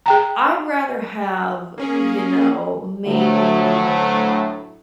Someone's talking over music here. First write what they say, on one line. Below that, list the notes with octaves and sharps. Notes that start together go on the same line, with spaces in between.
I'd rather have, you know, maybe
G#4 G5 A#5
A#3 C#4 G#4
D2 A2 F#3 A3